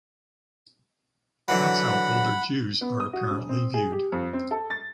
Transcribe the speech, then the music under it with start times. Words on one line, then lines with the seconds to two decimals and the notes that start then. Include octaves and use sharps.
That’s how older Jews are apparently viewed.
1.48 D3 E3 F#3 F#5 B5
2.81 B3
3.00 D#6
3.13 F#4
3.31 E1
3.49 C4
3.74 G#4
3.92 G4
4.12 F2
4.33 C4
4.51 A4
4.70 A6